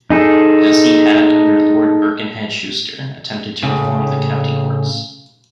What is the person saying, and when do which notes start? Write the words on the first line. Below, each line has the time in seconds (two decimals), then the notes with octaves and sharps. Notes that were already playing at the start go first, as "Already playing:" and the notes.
As he had under Lord Birkenhead Schuster attempted to reform the County Courts.
0.10 D#4 G#4 A4
3.63 A2 C#3